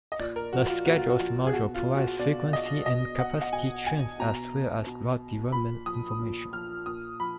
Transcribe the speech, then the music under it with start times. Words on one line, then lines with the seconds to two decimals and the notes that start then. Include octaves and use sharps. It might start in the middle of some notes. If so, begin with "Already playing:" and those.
The schedules module provides frequency and capacity trends as well as route development information.
0.12 D#5
0.19 A#2 D5
0.36 A#4
0.52 F3 F#4
0.69 F4
0.86 A#2 F#4
0.98 F4
1.10 F#4
1.19 F3
1.47 G#4
1.53 B2 F#4
1.75 F4
1.97 F#4
2.19 B2 D5
2.53 D#5
2.86 B2 D#5
3.20 F#5
3.41 F#5
3.53 B2 G#5
3.87 G#5
4.19 B2 A#5
4.87 B2
5.52 A#2 B5
5.86 F3 D#6
6.19 A#2
6.53 F3 F6
6.86 A#2 D#6
7.20 F3 B5